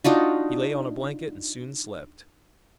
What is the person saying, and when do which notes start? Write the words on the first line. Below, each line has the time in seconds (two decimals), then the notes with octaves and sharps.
He lay on a blanket and soon slept.
0.04 D4 D#4 F4 F#4